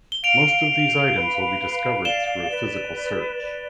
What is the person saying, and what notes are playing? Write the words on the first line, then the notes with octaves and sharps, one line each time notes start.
Most of these items will be discovered through a physical search.
G7
F5 D7 F7
F5
B4
F5
D5 E7 G7
B4
D5
B4